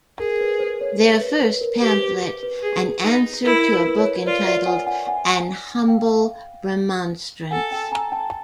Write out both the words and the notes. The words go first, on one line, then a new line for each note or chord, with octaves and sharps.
Their first pamphlet, An Answer to a book entitled, An Humble Remonstrance.
G#4 A#4
B4
C5
C#5
C5
B4
B4
A#4
G4 B4
C5
B4
G#4
D#4
E4 A#4
B4
C#5
F4 C5 D5
D5 E5
F#5 G#5
F#5 G#5
F#5 G#5
F5 G5
A4 F#5 G#5
G5 A5
G#5 A#5
G5 A5